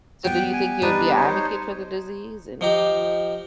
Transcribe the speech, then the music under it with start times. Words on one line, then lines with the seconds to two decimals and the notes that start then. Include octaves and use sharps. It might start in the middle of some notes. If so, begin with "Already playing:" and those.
So do you think you'll be a advocate for the disease? And
0.25 G3 B3 G5
0.54 G#5
0.82 G3 D4 D#4 B4
1.16 D#4 C5 C#5
2.61 F3 D#4 G4